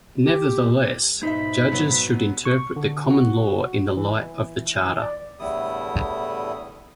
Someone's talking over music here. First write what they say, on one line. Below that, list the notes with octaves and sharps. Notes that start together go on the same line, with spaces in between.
Nevertheless, judges should interpret the common law in the light of the Charter.
G4
G#2 B2 D#4 C5 E5 B5
F#3 B3
C#6
D3
F#4
E3
D5
E2 A2 D3 G3 E4 D#6